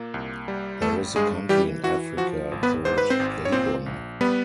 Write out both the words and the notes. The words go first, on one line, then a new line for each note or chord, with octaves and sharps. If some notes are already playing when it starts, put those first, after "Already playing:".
There is a country in Africa called Gabon.
Already playing: A#2 A#3
C2
G3
G#1 A3 A4
G2 G#3 G#4
E3 G3 G4
E3 F#4
F3 F#4
G#1
B3 B4
G#2 C5
B4
C4 C5
G#1
C#5
A#2 C4 C5
A#1
G3 B3 B4